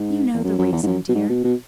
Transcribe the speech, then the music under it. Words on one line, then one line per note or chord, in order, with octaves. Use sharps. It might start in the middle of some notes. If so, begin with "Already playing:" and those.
'You know the reason, dear.
Already playing: G#2
E2
F#2
F#2
E2
G#2
F#2
B2
G#2
B2
B2